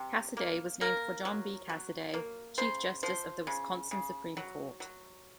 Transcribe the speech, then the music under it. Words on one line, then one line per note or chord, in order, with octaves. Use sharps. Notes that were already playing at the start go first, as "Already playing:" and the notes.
Cassoday was named for John B. Cassoday, chief justice of the Wisconsin Supreme Court.
Already playing: C3
A#3
A#3 A#4
F#3
F#3
A#3
C#3 C5
F3 C5
C#3
C#3
F#3
F#3